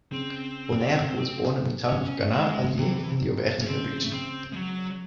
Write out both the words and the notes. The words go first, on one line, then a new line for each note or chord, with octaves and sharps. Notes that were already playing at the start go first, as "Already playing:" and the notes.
Bonnaire was born in the town of Gannat, Allier, in the Auvergne region.
C#3 C4
C3
C#4
G#3
C3 E3
C#4
C#3 C4
A3
C4
G#3
F#3